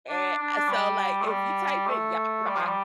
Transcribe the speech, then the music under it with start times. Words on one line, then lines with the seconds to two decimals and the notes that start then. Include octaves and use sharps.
And, uh, so, like, if you type in Yacht Rock eh
0.09 D4
0.39 D4
0.53 D4
0.68 G3
1.21 A3
1.27 G3
1.87 A3
2.46 G3
2.56 F3
2.66 G3